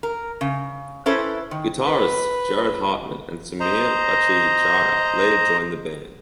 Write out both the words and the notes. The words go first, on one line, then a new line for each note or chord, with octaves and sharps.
Guitarists Jared Hartmann and Sameer Bhattacharya later joined the band.
A#4
C#3
C#4 E4 A4 B4 C5
D#3
B4
C5 D#5 A#5